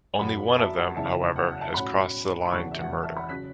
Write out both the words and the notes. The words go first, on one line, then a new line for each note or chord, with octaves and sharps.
Only one of them, however, has crossed the line to murder.
F#1 F#2 C#3 F#5 B5
E5 A5
F#5
F#1 E2 C#3 E3 E5 A5
F#5
F#5
E5 A5
B1 A2 F#3 C#4 F#5 B5
B5
E1 E2 C#3 E3 A5 C#6
F#5
E5
F#5
F#5
E5 A5
F#5 B5
C#3 F#3 C#4 F#6 B6